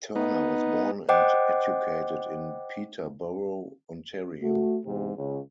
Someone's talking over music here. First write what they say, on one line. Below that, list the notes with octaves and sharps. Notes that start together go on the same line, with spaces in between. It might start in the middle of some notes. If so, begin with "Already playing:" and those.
Turner was born and educated in Peterborough, Ontario.
B3 D#4
C5 D#5 F#5 G5 D6
A3 F#4
E2 G#2 C3
C#2 C#3